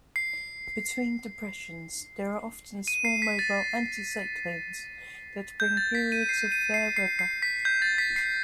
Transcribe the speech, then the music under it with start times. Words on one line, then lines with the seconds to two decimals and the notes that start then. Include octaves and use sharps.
Between depressions there are often small mobile anticyclones that bring periods of fair weather.
0.16 C7
2.88 D#7
3.05 C7
3.22 B6
3.39 A6
5.60 G6
5.77 A6
5.95 B6
6.12 D#7
6.29 C7
6.52 D#7
6.74 C7
6.96 C7
7.19 C7
7.42 B6
7.65 G6
7.82 A6
7.98 B6
8.16 C7